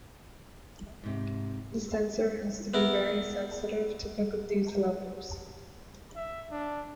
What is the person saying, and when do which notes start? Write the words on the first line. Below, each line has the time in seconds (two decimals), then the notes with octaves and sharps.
The sensor has to be very sensitive to pick up these levels.
1.04 G#2 C3 G4
2.74 B3 E4 A#4
6.16 E5
6.51 D4